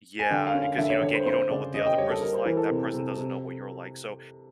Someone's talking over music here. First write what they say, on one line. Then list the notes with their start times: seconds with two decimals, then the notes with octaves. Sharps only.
yeah, 'cause, you know, again, you don't know what the other person's like, that person doesn't know what you're like, so,
0.19 G#5
0.30 D3 G5
0.47 F5
0.54 C#4
0.62 F5
0.78 D3 E5
0.90 C#5
1.02 D3 C#5
1.14 C5
1.26 C4 C5
1.50 C#3 D5
1.74 C#3 D#5
1.86 G5
1.98 G3 C#5
2.10 A4
2.21 G3 A#4
2.33 C5
2.45 E3 A#4
2.57 A4
2.70 C3
2.94 C3
3.17 C3